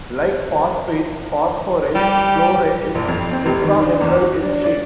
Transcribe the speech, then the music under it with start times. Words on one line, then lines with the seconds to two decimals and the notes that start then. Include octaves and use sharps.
Like phosphate, phosphoryl chloride is tetrahedral in shape.
1.95 G3 G4
2.95 A#1
3.08 F2
3.31 C4
3.46 F1
3.62 D#3
3.82 D4
4.01 E2
4.21 F#4
4.42 D4
4.64 D5